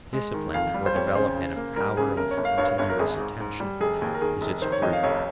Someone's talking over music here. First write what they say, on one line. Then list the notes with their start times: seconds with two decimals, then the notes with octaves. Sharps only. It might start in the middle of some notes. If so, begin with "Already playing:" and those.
Discipline or development of power of continuous attention is its fruit.
0.13 G#3
0.34 D#3
0.54 F2 F5
0.74 G3
0.86 C5
0.95 F2 C#5
1.15 C#3 C5
1.36 C#3
1.56 A#3
1.76 G3 A#4
1.97 C#3 G#4
2.17 G1 A#4
2.31 C#5
2.37 G1
2.45 F5
2.58 G2 C#5
2.68 C#5
2.78 G1 C#5
2.90 A#4
2.99 G#1 G#4
3.20 G#2
3.40 G#2
3.60 G3
3.81 F1 G#4
4.02 D#2
4.14 A#4
4.22 D#3 G#4
4.41 F1
4.62 D#3 C5
4.72 C#5
4.82 F2 D#5
4.93 F5
5.03 F1 C#5